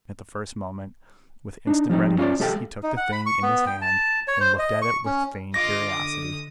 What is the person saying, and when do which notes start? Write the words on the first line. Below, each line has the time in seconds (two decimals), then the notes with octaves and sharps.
At the first moment, with instant readiness, he took the thing in his hand, and looked at it with feigned curiosity.
1.67 D4 D#4
1.89 F3 G3 C4 D#4
2.18 C#4 F4 F#4 C#5 D5
2.40 G#3 G4 A4 F5 G5
2.83 D#4
2.97 F#5
3.12 B5
3.26 C#6
3.42 B3
3.66 G5
3.81 A5
4.28 C#5
4.40 C5
4.59 D#5
4.82 C#6
5.05 C#4
5.54 D3 F4 D#5 D6 A#6
5.91 D#6